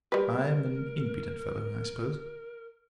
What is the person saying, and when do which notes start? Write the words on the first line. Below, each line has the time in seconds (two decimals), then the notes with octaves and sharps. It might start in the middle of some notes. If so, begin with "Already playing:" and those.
I am an impudent fellow, I suppose.
0.12 G3 A#4 B4